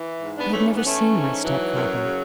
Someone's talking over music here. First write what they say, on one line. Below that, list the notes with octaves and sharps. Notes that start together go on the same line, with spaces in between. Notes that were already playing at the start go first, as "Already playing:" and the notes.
I had never seen my stepfather.
Already playing: E3
G#2
B3 D4
E3 A3 C#4
C#4
B3
E3 A3 C#4
G#2
E3 F#3
F#2
C#3